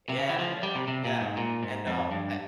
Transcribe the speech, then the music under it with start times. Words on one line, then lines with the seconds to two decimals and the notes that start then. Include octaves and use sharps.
Yeah, yeah, yeah, and, um, I
0.09 C3
0.19 C#3
0.29 E3
0.39 F3
0.63 G3
0.75 C3
0.88 C3
1.05 A#2
1.21 G#2
1.37 A#2
1.63 G#2
1.87 F2
2.11 G2